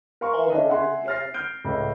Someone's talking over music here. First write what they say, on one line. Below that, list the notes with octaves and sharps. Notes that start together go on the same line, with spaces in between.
all the way to the end,
A#4 F5 C6 C#6
C#4 D4 E4 D#5 E5
E5 F#5 G#5 C6
F6 A6 A#6 C7
F6 G6 D7
C#2 A2